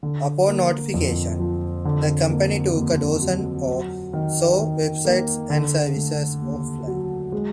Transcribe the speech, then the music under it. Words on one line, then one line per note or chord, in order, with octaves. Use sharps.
Upon notification, the company took a dozen or so websites and services offline.
D3
A#3
F2
F3
D3
A#3
D#2
F#3
F#3
D#3
D#3
A#3
D3
A3
D#2
F#3
G#3